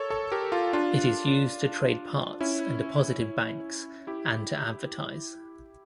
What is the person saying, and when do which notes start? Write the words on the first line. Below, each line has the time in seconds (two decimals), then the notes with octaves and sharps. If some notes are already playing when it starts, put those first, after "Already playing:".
It is used to trade parts and deposit in banks, and to advertise.
Already playing: A4 A#4 C#5
0.10 A4 C#5
0.32 G4 A#4
0.52 F4 A4
0.73 D4 F4
2.40 C#4 E4
4.07 E4 G4